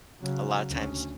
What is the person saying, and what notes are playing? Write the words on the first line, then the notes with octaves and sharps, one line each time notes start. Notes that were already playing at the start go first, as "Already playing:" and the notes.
a lotta times,
C#3 F#3
D2 C#4